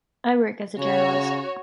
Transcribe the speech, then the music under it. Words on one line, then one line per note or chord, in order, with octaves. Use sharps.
I work as a journalist.
C#3 F#4 C#5